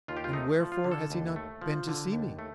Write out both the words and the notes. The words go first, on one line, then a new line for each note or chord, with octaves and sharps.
"And wherefore has he not been to see me?"
D#2 F4
G4
F4
A3 D#4
F3
F4
D3
A4
D#2
A3
F3
D3
D#2
A3